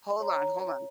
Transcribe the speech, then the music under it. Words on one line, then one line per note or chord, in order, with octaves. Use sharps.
Hold on, hold on.
C#5 A#5